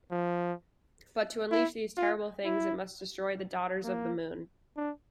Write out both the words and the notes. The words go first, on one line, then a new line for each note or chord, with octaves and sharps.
But to unleash these terrible things it must destroy the Daughters of the moon.
F3
E4
F4
E4
A#3
D4